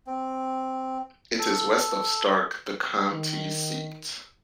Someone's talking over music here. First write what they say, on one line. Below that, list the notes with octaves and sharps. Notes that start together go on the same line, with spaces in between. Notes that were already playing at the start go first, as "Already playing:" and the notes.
It is west of Starke, the county seat.
C4
A4
D#3